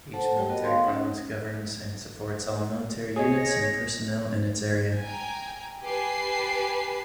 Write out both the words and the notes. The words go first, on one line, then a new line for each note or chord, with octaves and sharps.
Each military province governs and supports all military units and personnel in its area.
A4 C5 F#5 A5
G3 A3 G4 C#5 G5
B3 F#4 A#4 D#5
C#5 F5 C6
C#4 D#4
G#4 C#5 D#5
A#6
G5 G#5 A#5
G4 B4 G#5 A5 C7